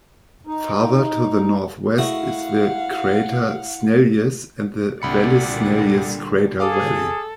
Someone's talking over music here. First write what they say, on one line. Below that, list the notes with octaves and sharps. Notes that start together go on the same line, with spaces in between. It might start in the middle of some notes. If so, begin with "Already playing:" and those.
Farther to the northwest is the crater Snellius and the Vallis Snellius crater valley.
D#4
A3 E4 F#4 G#4 F5 F#5
C2 A#2 D3 G3 D5 F#5 B5 C#7
G#4 A4 F5 D6 D#6